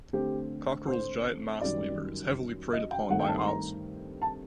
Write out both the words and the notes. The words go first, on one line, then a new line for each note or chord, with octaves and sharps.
Coquerel's giant mouse lemur is heavily preyed upon by owls.
D3 A3 C4 G4
C5
F#2 D#3 G3 D5
D#5
G5
G2 D#3 A3 C4 F#5
G5
A5
C6
A#5
A5